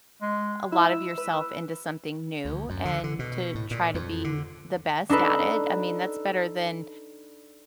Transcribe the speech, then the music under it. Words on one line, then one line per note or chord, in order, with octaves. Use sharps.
a lot of yourself into something new and to try to be the best at it. I mean, that's better than
G#3
E4 E6
B4
D2
F#2
D3
D3
B2
A2
A#2
F2
D3
D4 D#4 A4 B4